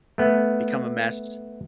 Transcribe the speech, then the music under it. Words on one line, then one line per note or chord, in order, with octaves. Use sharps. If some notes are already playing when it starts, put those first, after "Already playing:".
become a mess.
A3 B3